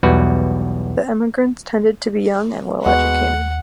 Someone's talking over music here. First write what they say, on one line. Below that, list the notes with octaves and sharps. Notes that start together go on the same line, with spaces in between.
The emigrants tended to be young and well educated.
B1 E2 G3 F#4 B4
D#2 G#3 B3 F#4 F#5